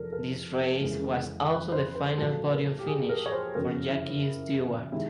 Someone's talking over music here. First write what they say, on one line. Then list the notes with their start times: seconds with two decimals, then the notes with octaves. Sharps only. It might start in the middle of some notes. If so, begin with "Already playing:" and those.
This race was also the final podium finish for Jackie Stewart.
Already playing: F1 E2 A4 A#4
0.12 A#4
0.80 F1 F2 C#3 E3 G#3
1.49 B4
1.72 C5
1.95 B4
2.18 A#1 A#2 F#3 A4
2.52 A#4
2.79 G4
2.86 G#4
3.09 A#4
3.26 C#5
3.32 C5
3.55 F#1 F2 C#3 F#3 A#4
3.89 E4
4.92 C3 D#3 G#3 E4